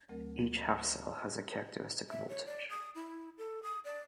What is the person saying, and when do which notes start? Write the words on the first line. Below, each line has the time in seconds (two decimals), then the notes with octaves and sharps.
Each half-cell has a characteristic voltage.
0.09 D2 F#3 A3 C4 A#4
2.10 E5
2.29 C#5
2.46 D5
2.70 D#6
2.95 E4
3.38 A4
3.63 D#6
3.85 D5